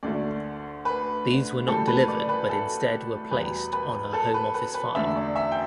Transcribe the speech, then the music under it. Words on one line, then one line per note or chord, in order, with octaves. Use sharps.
These were not delivered but instead were placed on her Home Office file.
D2 D3 A3 D5
B4
B1 A2 E3 G3 A4
B4
D5
B4
A4
E2 B2 G3 B4
B4
A4
B4
B4
B4
E2 D3 A3 E5
D5
E5
G5